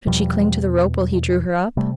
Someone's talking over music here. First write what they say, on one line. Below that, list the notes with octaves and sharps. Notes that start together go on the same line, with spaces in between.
Could she cling to the rope while he drew her up?
E2 B2 F3 G3
C3 G3 A3